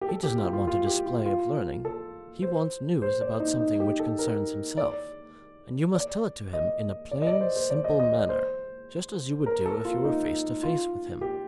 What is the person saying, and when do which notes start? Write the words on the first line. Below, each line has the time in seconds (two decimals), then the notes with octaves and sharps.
He does not want a display of learning; he wants news about something which concerns himself, and you must tell it to him in a plain, simple manner just as you would do if you were face to face with him.
0.01 G4
0.09 A4
0.23 G4
0.38 F4
0.53 F4
0.67 F4
0.86 G4
1.06 F4
1.26 F4
1.85 A4
2.42 C5
3.02 C5
3.21 D5
3.40 D#4
3.60 D#4
3.80 G4
4.00 A4
4.19 A#4
4.77 D5
5.95 D5
6.53 D#5
7.11 D5
7.22 D#5
7.27 D5
7.41 C5
7.56 C5
7.70 D5
7.84 D#5
8.00 D#5
8.14 D5
8.29 C5
9.46 A#4
9.66 A4
9.85 F4
10.05 D#4
10.63 F4
11.21 G4